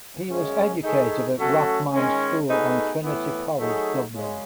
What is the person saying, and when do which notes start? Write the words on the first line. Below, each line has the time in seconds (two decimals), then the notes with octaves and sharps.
He was educated at Rathmines School and Trinity College, Dublin.
0.27 F#2 C#3 G#3 C#4
0.83 D#3 A3 D#4 G#4
1.37 F#3 A3 C#4 F#4 A4
1.93 D#3 G#3 C#4
2.48 B2 A3 D#4 G#4 B4
3.03 A2 E3 B3
3.58 F#3 A3 D#4 G#4
4.12 F#2 C#3 G#3